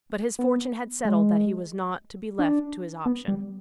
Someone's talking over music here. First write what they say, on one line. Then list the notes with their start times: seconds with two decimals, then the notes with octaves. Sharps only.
But his fortune had settled that he was not to be left to his option.
0.39 B3
1.05 G#3
2.39 D4
3.06 B3
3.28 G3